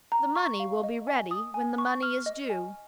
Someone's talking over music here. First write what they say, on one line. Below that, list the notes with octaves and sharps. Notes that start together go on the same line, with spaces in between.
The money will be ready when the money is due.
A#5
C#6
F5
D#5
G#5
D#6
G#5
C#6
F6
D#5
G#5